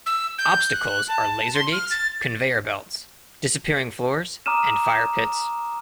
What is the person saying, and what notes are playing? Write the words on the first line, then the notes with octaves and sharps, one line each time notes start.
Obstacles are laser gates, conveyor belts, disappearing floors and fire pits.
E6
G6
F#6
A5
C6
F6
A6
A#5 D6 D#6 F6 D#7 E7